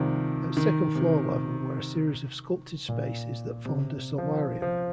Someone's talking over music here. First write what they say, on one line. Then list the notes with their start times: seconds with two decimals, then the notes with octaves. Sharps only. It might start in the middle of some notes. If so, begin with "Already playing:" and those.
At second floor level were a series of sculpted spaces that formed a solarium.
Already playing: C3 D#3 F3 G3
0.57 D#3
0.95 C3
2.88 A#2
3.65 C3
4.18 F3
4.62 F3